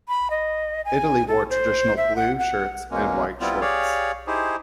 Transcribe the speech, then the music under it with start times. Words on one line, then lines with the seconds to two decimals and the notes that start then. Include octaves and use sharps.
Italy wore traditional blue shirts and white shorts.
0.08 B5
0.30 D#5
0.85 G#5
1.28 A4
1.50 C5
1.97 E5
2.16 F#5
2.39 F#5
2.91 E2 B2 G#3 A#3 C#4
3.41 G3 B3 C4 E4 F4
3.61 G4 G#4 C#5 D5 F5
4.27 D#4 E4 G4 G#4 C5